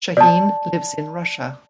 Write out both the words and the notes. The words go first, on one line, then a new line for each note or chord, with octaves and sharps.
Shaheen lives in Russia.
D5 A5